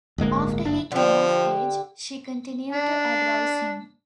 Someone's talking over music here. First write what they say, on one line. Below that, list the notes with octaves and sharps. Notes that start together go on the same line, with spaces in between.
After he came of age, she continued to advise him.
D1 G1 G#3 A#3
F#1 D4
D3 F3 G4
D4